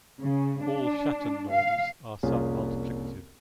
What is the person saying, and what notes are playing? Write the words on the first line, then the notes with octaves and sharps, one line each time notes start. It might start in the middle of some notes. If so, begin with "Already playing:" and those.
All Schatten norms are sub-multiplicative.
C#3
D4
F5
C2 F2 A#3 C#4 F4 G#4